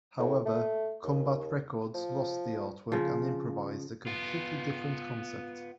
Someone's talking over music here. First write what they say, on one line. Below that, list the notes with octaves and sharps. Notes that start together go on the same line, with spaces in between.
However, Combat Records lost the artwork and improvised a completely different concept.
A2
A3
D#2
F3
C#3 F3
B3 F4